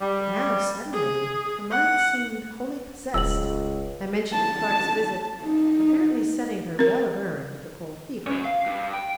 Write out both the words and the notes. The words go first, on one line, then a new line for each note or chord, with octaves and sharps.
But now, suddenly, her mind seemed wholly possessed, my mention of Clark's visit apparently setting her well a-burn with the Pole-fever.
G3
G#4
F#5
D#1 C#2 E6 F#7
A5
D#4
C4 A#4
F#3 C#4
F5
G2
G5